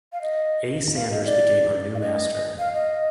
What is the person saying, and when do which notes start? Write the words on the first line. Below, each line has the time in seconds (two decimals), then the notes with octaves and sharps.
A. Sanders became her new master.
0.13 F5
0.22 D#5
0.96 F5
1.11 D#5
1.25 D5
1.95 F5
2.00 D#5
2.59 F5
2.74 D#5